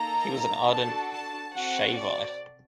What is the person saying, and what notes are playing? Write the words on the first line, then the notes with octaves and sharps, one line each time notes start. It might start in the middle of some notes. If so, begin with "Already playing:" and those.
He was an ardent Shaivite.
Already playing: A#3 D#4 A4 A#5
D4 F#4 A4 A5
A5
C4 F#4 A4 F#5
D5